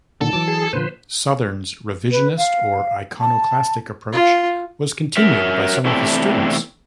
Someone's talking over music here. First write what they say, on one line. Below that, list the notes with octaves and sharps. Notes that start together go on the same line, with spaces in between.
Southern's revisionist or iconoclastic approach was continued by some of his students.
A#2 D3 D#3 A4
E3 F#3 A5 D6
G#4
A#2 D3 F3 B4 C5
B4
F5
A5
F4
F#3 A#4 E5
E2 C3 A3 C4 D4 E4